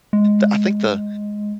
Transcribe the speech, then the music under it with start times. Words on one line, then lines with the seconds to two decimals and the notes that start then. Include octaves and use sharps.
t I think the
0.13 G#3